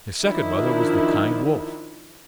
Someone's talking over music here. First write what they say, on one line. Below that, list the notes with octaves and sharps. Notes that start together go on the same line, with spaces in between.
His second mother was the kind wolf.
D#3 F3 D4 E4